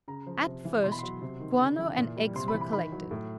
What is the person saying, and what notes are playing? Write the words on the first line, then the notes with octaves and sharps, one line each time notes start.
At first guano and eggs were collected.
C#3 A#5
F3
C3
E3
B2 C6
B5
F#3 C6
C3
D#3
C#3
E3
A#2
G3
C3 C6
B5
E3
B5
D#3 B5
F#3
A2